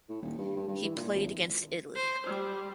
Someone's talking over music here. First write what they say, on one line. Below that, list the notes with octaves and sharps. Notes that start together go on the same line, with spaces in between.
He played against Italy.
A2
D#1
G2
G2
G2
E3
A#2
G#1
C5
G3